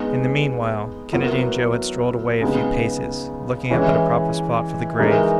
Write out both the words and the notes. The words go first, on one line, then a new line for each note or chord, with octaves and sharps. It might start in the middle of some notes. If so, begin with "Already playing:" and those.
In the mean while, Kennedy and Joe had strolled away a few paces, looking up a proper spot for the grave.
Already playing: G#3 B3 D#4
F#3 B3 E4 A#4
C#3 G#3 B3 D#4
E3 G#3 C#4 E4
E3 G#3 D#4 A#4